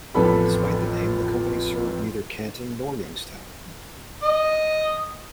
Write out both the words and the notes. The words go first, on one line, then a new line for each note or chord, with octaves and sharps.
Despite the name, the company served neither Canton nor Youngstown.
A1 F2 B3 A4 B5
D#5